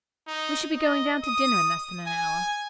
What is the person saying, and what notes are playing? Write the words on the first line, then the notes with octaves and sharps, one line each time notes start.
"We shall be going down to dinner in less than an hour."
D#4
D#5
D#6
G#5